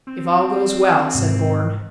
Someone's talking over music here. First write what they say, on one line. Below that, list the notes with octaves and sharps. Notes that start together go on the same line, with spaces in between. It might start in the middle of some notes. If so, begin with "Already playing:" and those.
"If all goes well," said Bourne.
C4
G#2 C3